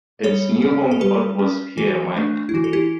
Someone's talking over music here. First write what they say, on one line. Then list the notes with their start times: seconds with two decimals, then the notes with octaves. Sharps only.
Its new home port was Pier Mike.
0.24 G3 A4 C#5
0.62 C#4
0.91 A4
1.01 G3 G4 B4
1.39 C#4
1.77 E3 F#4 A4
2.16 A3 D4
2.49 E4
2.54 E3 F#4
2.64 A4
2.73 E4 G4